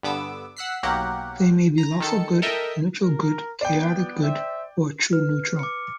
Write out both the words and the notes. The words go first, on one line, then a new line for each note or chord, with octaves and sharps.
They may be lawful good, neutral good, chaotic good, or true neutral.
G2 D3 B3 D6 E6
F#5 E6 F#6 B6 C7
B1 F#3 A#3 G4 A#4 F#5
A#5
D#3 A4 C#7
A4 A#4 D#5 E5 G5
A#4
B3 D5 G5
C5 E5
B4 F6
D6 C#7